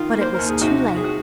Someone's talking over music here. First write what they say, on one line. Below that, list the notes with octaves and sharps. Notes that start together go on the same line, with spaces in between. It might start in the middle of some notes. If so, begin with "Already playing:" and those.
But it was too late.
Already playing: D#3 F4
A#3
C5
D#2 A#4
G#4
C3 D#4 F#4
C3
G#4
F#4